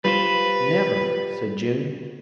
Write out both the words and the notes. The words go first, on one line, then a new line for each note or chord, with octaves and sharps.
"Never," said June.
G3 F4 B4 C5